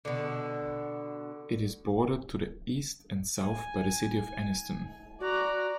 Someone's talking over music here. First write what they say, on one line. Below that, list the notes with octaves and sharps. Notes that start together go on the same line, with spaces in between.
It is bordered to the east and south by the city of Anniston.
B2 D3
G#5
F#4 D5 A#5